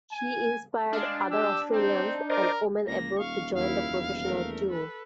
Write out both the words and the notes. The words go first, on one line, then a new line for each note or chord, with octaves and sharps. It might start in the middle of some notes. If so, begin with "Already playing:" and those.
She inspired other Australians and women abroad to join the professional tour.
G#5
G#3 D4 F5
G4 E6
C4 D#4
A#4 C5 D5 D#5 D6
C#2 A#3 A#6
D#1 F5 C#6
D#2 F#3 E4 F5
E2
A3 A#4
A4 B4